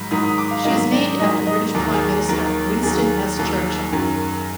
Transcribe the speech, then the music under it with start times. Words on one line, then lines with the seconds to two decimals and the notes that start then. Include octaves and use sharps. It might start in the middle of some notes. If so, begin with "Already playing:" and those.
She is named after British Prime Minister Winston S. Churchill.
Already playing: G#2 D#3 F#3 B5
0.11 G#2 D#3 F#3 D#6
0.24 D#6
0.38 D6
0.51 F5
0.65 G#2 D#3 F#3 D#5
0.92 D5
1.19 G#2 D#3 F#3 D#5
1.47 D#5
1.74 D#2 D#3 F#3
1.93 G#4
2.29 D#2 D#3 F#3 A#4
2.83 D#2 D#3 F#3 G#4
3.37 D#2 D#3 F#3
3.92 F#2 D#3 F#3